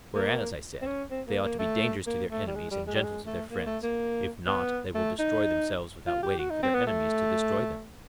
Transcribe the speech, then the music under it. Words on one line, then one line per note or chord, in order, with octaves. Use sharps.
Whereas, I said, they ought to be dangerous to their enemies, and gentle to their friends; if not, they will destroy themselves without waiting for their enemies to destroy them.
A#3
C4
C#4
C4
A#3
A#3
A3
A#3
A3
G3
G#3
G3
G#3
G3
G#3
A3
A#3
A3
A#3
B3
A3
D#4
F4
G4
F#4
D#4
C4
B3
A3